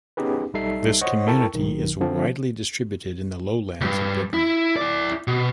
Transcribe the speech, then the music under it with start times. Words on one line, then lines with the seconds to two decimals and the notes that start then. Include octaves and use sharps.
This community is widely distributed in the lowlands of Britain.
0.17 B3 C#4 D#4 G4 G#4 B4
0.54 B1 G3 D#4 A4 E5 C7
1.02 C5 C#5 D#5 F#5 C#6
1.27 E4 A4 A#4 G5 A5 C#6
1.54 B1 D#3
2.00 D3 F3 C4
3.81 C#2 G2
4.34 E4
4.76 E4 D5
5.28 B2